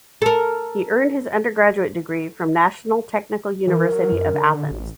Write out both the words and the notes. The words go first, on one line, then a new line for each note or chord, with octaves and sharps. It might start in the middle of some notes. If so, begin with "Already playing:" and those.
He earned his undergraduate degree from National Technical University of Athens.
A4 A#4
E3 A#4
F#3
F#2
D3
A1